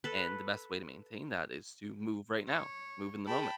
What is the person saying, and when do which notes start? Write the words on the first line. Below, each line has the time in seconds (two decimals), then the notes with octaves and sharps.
and the best way to maintain that is to move right now, move in the moment.
0.04 A4 B4
2.47 C#5
3.27 G#4 G5 A5 B5